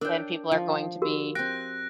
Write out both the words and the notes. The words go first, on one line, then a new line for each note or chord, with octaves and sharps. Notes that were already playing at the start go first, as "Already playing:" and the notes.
then people are going to be
D4 A#4 C#5 G5
F3
F#4 G4 A#4
C4 G5 F#6 A#6 D7